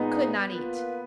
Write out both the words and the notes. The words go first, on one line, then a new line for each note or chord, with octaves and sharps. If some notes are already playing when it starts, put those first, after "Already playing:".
He could not eat.
Already playing: A#2 G#3 B3 D#4
A#3 F4 B4